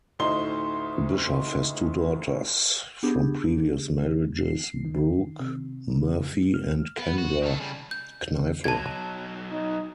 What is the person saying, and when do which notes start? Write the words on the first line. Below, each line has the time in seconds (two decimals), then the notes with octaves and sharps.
Bischoff has two daughters from previous marriages, Brooke Murphy and Kendra Kneifel.
0.19 D2 A2 D#4 C5 C6 G7
3.03 B3 D4 G4 G#4
4.37 C7
4.85 D#3
5.40 C3
5.95 C#3
6.32 F#2
6.54 F6
6.99 B3
7.18 F#4
7.43 D#3 A4
7.60 C#3 G3
7.91 G6
8.64 B1 F#3 A5 G#6
9.48 D#4